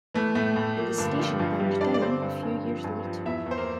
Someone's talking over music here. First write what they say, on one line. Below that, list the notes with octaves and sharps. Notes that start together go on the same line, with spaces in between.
The station burned down a few years later.
E3 A3
A2 A3
A2
F3 A#3
G2 D3 D4
G2 F3 F4
G2 F3 F4
E3 G3 G4
G2 D4 D5
D5
D3 C4 C5
G2
G2
F3
G2
F3
E2 E4 E5
E2 C5
A#3 A#4